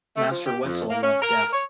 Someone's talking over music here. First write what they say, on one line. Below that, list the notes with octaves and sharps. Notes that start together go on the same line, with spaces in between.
Master Wetzel went deaf.
A3
F3
G4
F2
A#3
C#4
A#4
C#5